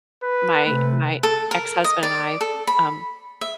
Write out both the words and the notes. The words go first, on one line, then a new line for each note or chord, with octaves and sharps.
my my ex-husband and I, um,
B4
C3 A3 B4
A4
A#4
D#5
D5
A4
B5
E5